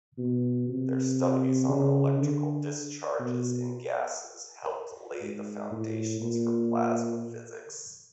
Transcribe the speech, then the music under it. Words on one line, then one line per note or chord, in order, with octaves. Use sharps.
Their studies on electrical discharges in gases helped lay the foundations for plasma physics.
B2
C3
C#3
D3
B2
G#2
A2
A#2